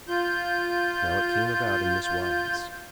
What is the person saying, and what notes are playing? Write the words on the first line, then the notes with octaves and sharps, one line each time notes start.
Now it came about in this wise.
F4 G6